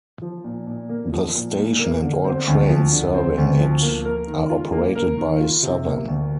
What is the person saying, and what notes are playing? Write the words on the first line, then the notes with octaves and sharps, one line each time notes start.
The station and all trains serving it are operated by Southern.
F3
A#2
A#2
A#3
F3
A#2
A#2
A#3
D3
C4
D2
F3
D3
C4
D2
F3
A#3
A#4
D#3
F4
A#3
A#4
D#3
F4
C3
A#3
D2